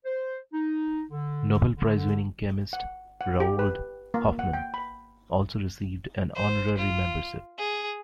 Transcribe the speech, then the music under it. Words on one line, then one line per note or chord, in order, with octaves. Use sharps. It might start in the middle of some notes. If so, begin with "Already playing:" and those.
Nobel Prize-winning chemist Roald Hoffman also received an honorary membership.
C5
D#4
D3
D3
F#5
F#5
G4
B4
A#3
F#5
G5
B5
C5
F4
G#4